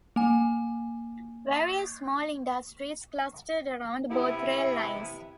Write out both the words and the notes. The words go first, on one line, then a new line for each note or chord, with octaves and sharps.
Various small industries clustered around both rail lines.
A#3 G#5
C3 B3 E4